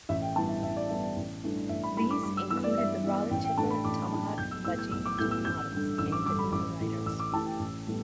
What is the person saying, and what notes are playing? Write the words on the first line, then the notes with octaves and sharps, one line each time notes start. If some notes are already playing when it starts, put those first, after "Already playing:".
These included the Raleigh Chipper, Tomahawk, Budgie and Chippy models, aimed at younger riders.
A1 E5
G5
G2 E3 B3 A5
E5
A1 E5
D5
G2 E3 B3 E5
D5
A1
G2 E3 A3 D4
A1 E5
B5
G2 E3 A3 D4 B5
D6
G2 D6
E6
E3 B3 E6
D5
G2 E5
E3 B3
A1 G5
G5
A2 A3 D4 A5
B5
A1 D6
A2 A3 D4
B1 G6
E6
A2 E3 B3 E6
G6
B1 E6
D6
A2 E3 B3 G6
E6
A1 G6
G2 D3
A1 E6
D6
G2 D3 D6
B5
A1 D6
A2 E3
A1 E6
D6
A2 E3 A5
G5
A1
A2 G3 B3